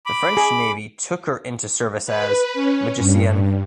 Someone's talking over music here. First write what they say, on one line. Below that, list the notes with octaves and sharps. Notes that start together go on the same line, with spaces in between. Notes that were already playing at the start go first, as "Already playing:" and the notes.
The French Navy took her into service as "Magicienne".
B5 D6
G#4
B4
C#4
G2